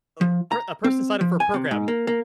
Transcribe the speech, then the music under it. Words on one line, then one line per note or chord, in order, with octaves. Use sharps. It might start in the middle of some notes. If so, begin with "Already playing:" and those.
a per a person signed up for a program
F3
A#5
C4
F3
G#5
C3
G#2
A#3
A#3